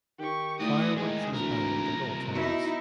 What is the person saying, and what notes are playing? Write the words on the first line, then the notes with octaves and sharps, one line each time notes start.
Fireworks is banned at all times.
D#3 G4 C#6
A2 A3 F#4 D5 D#6
E2 D#3 G#3 G#4
D2 C3 E3 A#4 A#5
D#1
B2 D#4 E4